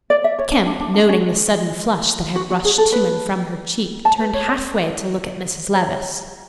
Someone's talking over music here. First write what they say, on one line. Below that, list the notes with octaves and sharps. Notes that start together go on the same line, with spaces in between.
Kemp, noting the sudden flush that had rushed to and from her cheek, turned halfway to look at Mrs. Levice.
D5
E5
C#5
D4
D4
D4
D4
C#4
F#4
F#4
G#4
A4
B4
A5
B4
C#5
D5
C#5